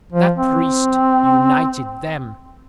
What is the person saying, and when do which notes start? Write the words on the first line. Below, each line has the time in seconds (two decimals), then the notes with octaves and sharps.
"That priest united them."
0.12 F3
0.38 C4